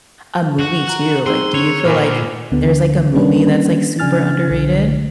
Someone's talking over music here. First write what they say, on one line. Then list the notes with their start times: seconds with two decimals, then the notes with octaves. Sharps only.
a movie too. Like, do you feel, like, there's, like, a movie that's like super underrated?
0.59 F#4
0.86 A#5 F#6 F#7
1.26 C4 D#4 G#4 C6 E6 D#7
1.54 C#5 F7
1.85 A#2 F4 A4 C5 G#5 B5 D6 F6
2.52 D2 D3 B3
3.14 D#3 G3 A#3 C#4 D4 B4
3.99 C#3 F3 D4 G#5 F6 A6
4.48 B1 D3